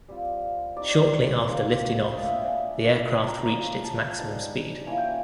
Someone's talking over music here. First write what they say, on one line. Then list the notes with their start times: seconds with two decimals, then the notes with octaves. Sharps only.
Shortly after lifting off, the aircraft reached its maximum speed.
0.09 G3 C4 F4
0.77 G3 C4 D#4 D5
0.90 C#5
1.03 C5
1.16 C#5
1.45 F3 G#3 C4
2.14 A#3 D4 F4 D#5
2.25 E5
2.37 G5
2.47 G#5
2.82 F3 A3 D4 F4
3.16 A5
3.27 A#5
3.38 A#5
3.50 F3 A#3 C#4
3.84 A5
4.18 G3 B3 D#4 A5
4.86 F3 A#3 C#4 E4 G#5
4.98 G5